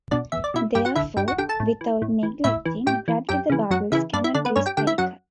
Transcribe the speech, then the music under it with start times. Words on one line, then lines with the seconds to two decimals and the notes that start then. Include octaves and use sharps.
Therefore, without neglecting gravity the bubbles cannot be spherical.
0.11 B2 D4 D5
0.32 E2 E5
0.44 D5
0.54 B2 E4 E5
0.75 G2 G4 G5
0.85 F#4 F#5
0.95 D3 E4 E5
1.17 G2 G4 G5
1.28 F#4 F#5
1.38 D3 G4 G5
1.49 A4 A5
1.60 A2
1.81 E3
2.02 A2
2.23 E3
2.44 A2 E4 E5
2.65 E3
2.86 A2 G4 G5
3.08 E3
3.29 F#2 G4 G5
3.50 C#3 E3
3.71 F#2 F#4 F#5
3.92 C#3 E3 E4 E5
4.13 G2 D4 D5
4.24 E4 E5
4.34 D3 D4 D5
4.45 B3 B4
4.56 G2 C#4 C#5
4.66 G4 G5
4.77 D3 G4 G5
4.87 E4 E5
4.98 F#2 F#4 F#5